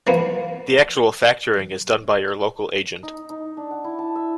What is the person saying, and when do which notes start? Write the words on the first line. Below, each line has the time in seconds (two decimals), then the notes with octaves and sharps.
The actual factoring is done by your local agent.
0.07 E3 F3 A#3 B3
3.03 D#4
3.30 D#4
3.57 D4
3.71 F#5
3.84 E4
3.99 A5
4.16 E5